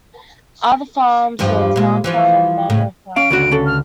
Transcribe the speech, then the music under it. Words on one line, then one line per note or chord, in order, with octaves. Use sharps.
Other farms were Town Farm and Manor Farm.
E2 G2 F3
A#2 G#3
E3 F3 F4
A2 C#3
C#4 F5 D7
C#2 D3 F#4
C#4 A4
F6